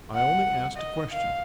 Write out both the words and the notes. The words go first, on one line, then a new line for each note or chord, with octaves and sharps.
I only asked a question.
F#5
D#5
F5